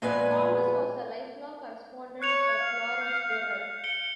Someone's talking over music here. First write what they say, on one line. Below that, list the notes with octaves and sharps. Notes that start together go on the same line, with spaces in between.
Thomas was a lifelong correspondent of Lawrence Durrell.
F2 A#2 G#3 B3 B4 G#5
C#5 F#6 C#7 F7
F5
G6
C#7 D7 G7